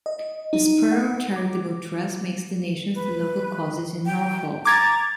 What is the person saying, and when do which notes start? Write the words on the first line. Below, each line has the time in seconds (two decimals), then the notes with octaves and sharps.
The Spurrell Charitable Trust makes donations to local causes in Norfolk.
0.06 D#5
0.53 D#4
0.92 F#5
1.36 D6
2.95 B4
4.06 G5
4.65 A#5 D6 G#6 A6